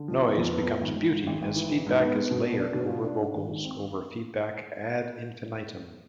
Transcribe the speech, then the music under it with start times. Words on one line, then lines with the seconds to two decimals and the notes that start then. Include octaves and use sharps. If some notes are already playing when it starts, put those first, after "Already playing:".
Noise becomes beauty as feedback is layered over vocals over feedback ad infinitum.
Already playing: D3
0.08 F3
0.23 B3
0.38 F2
0.53 B3
0.67 F3
0.81 G#1
0.96 G#1
1.11 G#2
1.27 G#1
1.42 G#1
1.56 E3
1.70 E3
1.86 G#2
2.00 B3
2.16 B3
2.31 B2
2.45 B3
2.59 D4
2.74 B2
2.89 F4
3.04 D4
3.20 G#2
3.35 G#1
3.48 G#1
3.64 C4